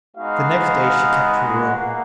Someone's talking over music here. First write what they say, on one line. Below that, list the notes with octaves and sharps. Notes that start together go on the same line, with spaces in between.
The next day she kept her room.
G#3 B3 D#4 F#4 F5
F#5
A#3 F#5